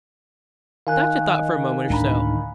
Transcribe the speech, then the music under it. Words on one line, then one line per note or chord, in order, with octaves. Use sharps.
The doctor thought for a moment or so.
D#3 F5 G#5 F#6
D2 A2 G#3 D4 A#5 B5